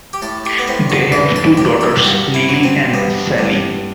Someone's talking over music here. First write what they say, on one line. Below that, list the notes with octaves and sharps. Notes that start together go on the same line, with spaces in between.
They have two daughters Lily and Sally.
G4
A2 A4
G4
B3
A2 C4
F#4
E3 A4
A4
A2 G4
G4
G2 F#4
E4
F#3
C4
G2 B3
G2